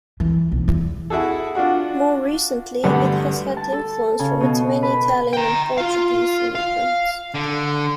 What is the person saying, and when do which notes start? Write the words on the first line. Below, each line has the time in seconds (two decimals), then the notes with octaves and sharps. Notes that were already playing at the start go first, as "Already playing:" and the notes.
More recently, it has had influence from its many Italian and Portuguese immigrants.
0.20 E3
0.52 B1
0.68 E2
1.10 E4 F#4 G#4 A4
1.55 D4 F4 F#4 F#5
2.83 D2 G2 D3 B3 F#5
3.57 A5
3.73 A4
4.19 C#3
4.41 B2
4.83 B4
5.33 G5 A#5
5.78 F4 F5
6.55 F5
7.34 D3